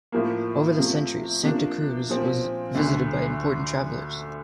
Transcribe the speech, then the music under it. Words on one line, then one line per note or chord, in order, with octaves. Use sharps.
Over the centuries Santa Cruz was visited by important travellers.
A2 F3 A#3
C3 F3 A3
C3 F3 A#3 D4
A#2 F3 C4
D2 D3 A3